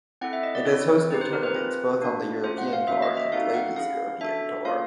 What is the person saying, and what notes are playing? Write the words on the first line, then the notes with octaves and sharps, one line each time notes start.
It has hosted tournaments both on the European Tour and the Ladies European Tour.
C4 E4 A4 F#5
E5
D#5
D5
C4 E4 A4 C#5
C4 D#4 G4 B4
C5
A#4
B4
C4 F4 G#4
A#3 D4 F#4
A3 C#4 F4 C5
F#5
F5
A#3 C#4 F#4 E5
D#5
E5
C4 D#4 F#4 A4 F5
F#5
C#4 E4 G#4 F5
D4 F#4 A4 E5
A#3 C#4 F4 F5